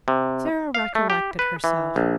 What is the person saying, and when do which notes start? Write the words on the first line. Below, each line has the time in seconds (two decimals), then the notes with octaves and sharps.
Sara recollected herself.
0.08 C3
0.75 F5
0.95 A3
1.10 G4
1.39 B4
1.64 E3
1.96 A#1